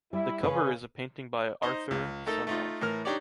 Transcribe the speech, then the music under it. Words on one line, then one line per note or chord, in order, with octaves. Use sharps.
The cover is a painting by Arthur Sarnoff.
G3 E4
C#3 C#4 B4
D#4 C5 D#5
C#2
A3 D#4 A4 A#4
A3 D#4 F4
A2 E3 A#4 F6
D4 D#4 G4 C#5 D5